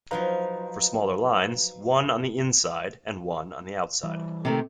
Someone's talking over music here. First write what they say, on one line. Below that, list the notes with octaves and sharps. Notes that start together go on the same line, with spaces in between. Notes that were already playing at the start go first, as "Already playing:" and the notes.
For smaller lines, one on the inside and one on the outside.
F3 F#3 D#4 B4 F5 A#5
E3 G3
C3 D#3 A3